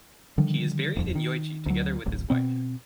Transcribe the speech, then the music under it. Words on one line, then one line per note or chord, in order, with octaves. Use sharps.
He is buried in Yoichi together with his wife.
D3 D#3 F3 G3
D#1 F2
D#3
D2 F#3
D1 A1
B2 C4